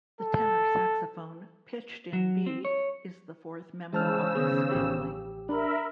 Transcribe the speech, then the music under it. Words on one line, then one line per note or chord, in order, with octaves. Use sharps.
The tenor saxophone, pitched in B, is the fourth member of this family.
A4
F#3
C4
C#5
C#3 E3 G#3 C5 A5 E6 F6
D#3 B3 C#4 G#4
A1 G4
D4 A#4 E5 B5